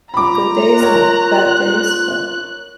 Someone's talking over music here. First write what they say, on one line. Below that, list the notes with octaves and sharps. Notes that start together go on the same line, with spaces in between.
I have good days, and I have bad days, but
F4 A#5 B5 D6
A#4 C#5 F#6